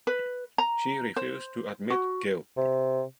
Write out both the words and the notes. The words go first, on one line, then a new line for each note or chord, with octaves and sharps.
She refused to admit guilt.
B4
A#5
C5
F#4
C3